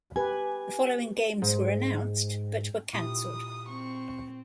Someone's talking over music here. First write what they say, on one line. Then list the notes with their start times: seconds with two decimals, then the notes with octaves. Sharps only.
The following games were announced, but were cancelled.
0.16 G4 B4 G#5
1.42 G#2
2.93 A#2 E4 G4 D#6
3.69 C4 C#6